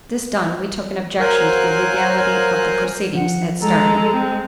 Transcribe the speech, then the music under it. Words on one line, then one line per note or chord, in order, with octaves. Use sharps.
This done, we took an objection to the legality of the proceedings at starting.
F#3 A#4 C5 F5 G#5 F#6
F3 F#5
G#3 A4 A#5
C4